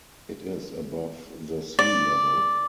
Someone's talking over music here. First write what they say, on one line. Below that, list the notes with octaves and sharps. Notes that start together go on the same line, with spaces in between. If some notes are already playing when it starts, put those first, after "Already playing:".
It is above the sea level.
D5